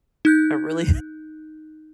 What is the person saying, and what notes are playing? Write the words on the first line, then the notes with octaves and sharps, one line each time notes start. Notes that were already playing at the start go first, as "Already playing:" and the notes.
a really
D#4 F#6 G6